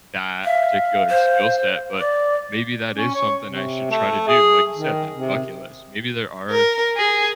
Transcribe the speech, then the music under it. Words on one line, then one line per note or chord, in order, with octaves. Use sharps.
that particular skill set, but maybe that is something I should try to do, like you said, that bucket list, maybe there are
E5 F5
C5
D5 D6
C#4
C#5
C3
A3
G#4
D#3
C3
A#4
G#4